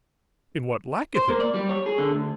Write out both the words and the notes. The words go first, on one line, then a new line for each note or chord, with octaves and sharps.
"In what lacketh it?"
C5
A#3
D5
G3
C#5
G#4
D3
D2